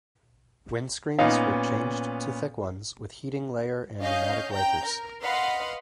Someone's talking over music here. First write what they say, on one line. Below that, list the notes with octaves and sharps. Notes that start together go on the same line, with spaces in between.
Windscreens were changed to thick ones with heating layer and pneumatic wipers.
A#2 B3 C#4 D#4 F5
C#4 D#5 F5 G6
G5 A#5 G6
A#4
B4 D#5 F5 F#5 B5 C6